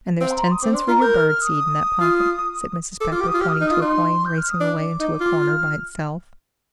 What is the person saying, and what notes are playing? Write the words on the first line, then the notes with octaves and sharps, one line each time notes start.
"And there's ten cents for your bird seed in that pocket," said Mrs. Pepper, pointing to a coin racing away into a corner by itself.
C4 F5
C6
A#5
C6
D#6
C4 D6
D4 C6
F4 A#5
A#4 G6
F6
F6
D#6
F4
A4 D6
F4 D6
G4
D#6
F4
G4 F6
D#6
F6
D#4
F4 D#6
D#4 C6
G6
F6
D#6
D4 D6
D#4
F4
F6